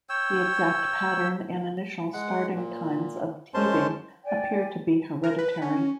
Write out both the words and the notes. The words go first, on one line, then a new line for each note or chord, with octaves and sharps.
The exact pattern and initial starting times of teething appear to be hereditary.
C#5 G5 E6
G#3 F#5
A#2
F#2 G#3 C#4 C5 A5 C6
D5 G5 G#5
A#4
B4
C#4